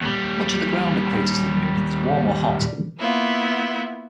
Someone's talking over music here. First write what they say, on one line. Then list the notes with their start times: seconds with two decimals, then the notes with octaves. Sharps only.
Much of the ground at Craters of the Moon is warm or hot.
0.02 D#2 G3
2.99 A#3 B3 E4 F4